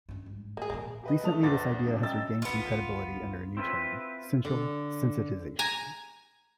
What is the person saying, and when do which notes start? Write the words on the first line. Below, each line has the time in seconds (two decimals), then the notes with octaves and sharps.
Recently this idea has regained some credibility under a new term, central sensitization.
0.09 F#1 G2
0.26 G#2
0.57 G#2 A#3 G#4
0.70 A#2 A#3 B3
1.03 G4 B4 D#5
1.23 C#2 A3 A5 D#6 F7
1.42 A#1 E2 B4 D6 A6 A#6
1.86 A#1 G2 C3
2.03 F#2 D#5 G5 E6 A6
2.42 G1 C#2 B3 F4
3.57 C4 E4 F4 A#4 B4
4.45 D3
5.59 G#5 A#5